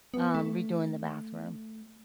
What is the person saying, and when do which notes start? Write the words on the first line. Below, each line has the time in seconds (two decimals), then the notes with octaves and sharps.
um, redoing the bathroom
0.14 B3
0.34 A3